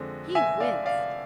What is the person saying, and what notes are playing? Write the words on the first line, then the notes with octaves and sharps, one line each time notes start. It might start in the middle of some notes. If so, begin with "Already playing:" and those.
He winced.
Already playing: F2 D3 G#3 C4
E5 G#5
D5 F5
D5 F5